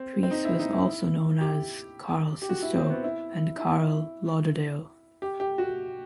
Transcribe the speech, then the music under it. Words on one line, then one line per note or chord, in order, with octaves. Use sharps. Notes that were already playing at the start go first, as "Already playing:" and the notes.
Preece was also known as Carl Sisto and Carl Lauderdale.
Already playing: C4
C4
D#4
E4
D#4
E4
G4
G4
F#4
E4
C4
B3
E4
E4
G4
G4
F#4